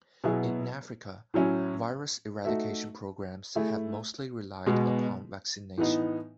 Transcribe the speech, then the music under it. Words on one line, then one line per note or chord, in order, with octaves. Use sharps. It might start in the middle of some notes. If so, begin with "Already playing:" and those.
In Africa, virus eradication programs have mostly relied upon vaccination.
B2 F#3 B3 E4 G#4
A2 F#3 C#4 E4
A3 D#4 F#4 A4 E5
A3 E4 G#4
B2 G#3 B3
A2 E3 B3 D#4